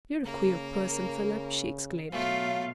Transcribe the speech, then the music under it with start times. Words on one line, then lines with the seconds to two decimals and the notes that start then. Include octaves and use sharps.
"You're a queer person, Philip," she exclaimed.
0.24 C#3 A#3 A#4
2.11 B2 F#3 A3 F4 F5